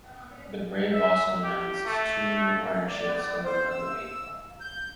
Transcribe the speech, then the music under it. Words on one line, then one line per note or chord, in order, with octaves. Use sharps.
The Brave also announced two new partnerships in the month of April.
E5
G4
A3
D5
C5
E6
G6